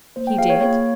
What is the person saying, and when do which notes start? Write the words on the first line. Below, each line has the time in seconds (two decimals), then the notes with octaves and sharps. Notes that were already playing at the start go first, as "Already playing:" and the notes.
"He did."
0.16 A#3 C5
0.27 G5
0.38 F4 G#4 F5
0.50 C#5
0.61 A#3 C#5